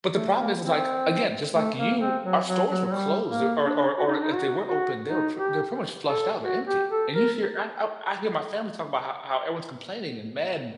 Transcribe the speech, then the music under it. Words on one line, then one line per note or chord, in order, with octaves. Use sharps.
But the problem is, is, like, again, just like you, our stores were closed or or or if they were open, they were p they're pretty much flushed out or empty, and you hear, I I I hear my family talking about how how everyone's complaining and mad and
A3
A#3
C4
A3
A#3
C4
F#3
F#3
F#3
F#3
G3
A#3
D4
F#4
D#4
D4
D#4
F#4
F#4
D#4
G4
A4
F#4
G4
A4
A#4